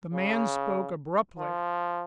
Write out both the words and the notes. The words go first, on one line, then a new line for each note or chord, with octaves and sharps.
The man spoke abruptly.
C#3
F3